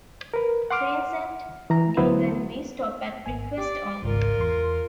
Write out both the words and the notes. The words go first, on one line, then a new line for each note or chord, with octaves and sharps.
Trains at Deganwy stop at request only.
A#4 B4
F#5 C6 D6 F6
E3 A#5
D2 F#3 B3 E4 B4 C5
G#1 A#3 G#5
G4 D5 D6
G#1 C#2 G#2 F4 A#4
E2 C6